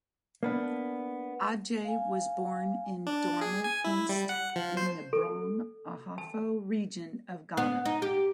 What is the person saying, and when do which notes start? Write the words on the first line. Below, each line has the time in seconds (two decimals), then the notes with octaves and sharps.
Adjei was born in Dorma East in the Brong Ahafo Region of Ghana.
0.43 A#3 B3 D4
1.85 F5 G#5
3.07 D4
3.41 G#4
3.64 G#5
3.84 E4
4.09 G3
4.29 F#5
4.56 F3
4.77 C5
5.13 A4
6.18 A5
7.57 B3
7.85 D#4
8.02 G4